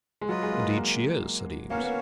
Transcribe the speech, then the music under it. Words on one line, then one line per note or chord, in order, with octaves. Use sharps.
"Indeed she is," said Eames.
G#3
F#3 F4 B4 D#5
G#3
A#3
A#3
A#3 C#4 F#4 C#5 F5
B3
A#3